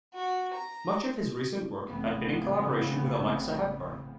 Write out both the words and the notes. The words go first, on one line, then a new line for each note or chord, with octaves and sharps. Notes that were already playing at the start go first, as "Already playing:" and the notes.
Much of his recent work has been in collaboration with Alexa Hepburn.
F#4
A#5
A1 A2 C#3 E3 B3 C4